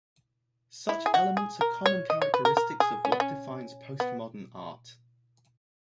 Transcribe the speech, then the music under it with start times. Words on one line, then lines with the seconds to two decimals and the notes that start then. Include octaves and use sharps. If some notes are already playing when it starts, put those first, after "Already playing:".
Such elements are common characteristics of what defines postmodern art.
0.89 E4
1.06 G#4
1.14 F#4
1.37 G#4
1.61 A#4
1.86 C#5
2.10 D#5
2.22 C#5
2.34 B4
2.45 A#4
2.57 A#4
2.80 G#4
3.05 C#4
3.12 B3
3.20 C#4
4.00 B3